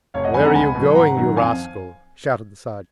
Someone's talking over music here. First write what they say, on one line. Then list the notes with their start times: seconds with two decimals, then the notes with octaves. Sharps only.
"Where are you going, you rascal?" shouted the sergeant.
0.14 F1 C#5 F5
0.24 D#5 F#5
0.34 F2 D#3 G#3 G#5 B5
0.44 F#5 A#5
0.55 C#2 G#5 B5
0.75 B2
0.80 F#3
0.95 G#1 F#5 A#5
1.17 F#2 D#3 F#3
1.36 F2 F5 G#5